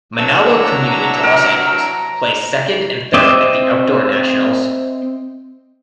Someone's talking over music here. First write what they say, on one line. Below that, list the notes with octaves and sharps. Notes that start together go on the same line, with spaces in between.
Manalo commuted to Los Angeles, placed second and third at the Outdoor Nationals.
C3 E3 F#3 D4 A#5 E6
A#4
C4 C5 D#5 E5 D6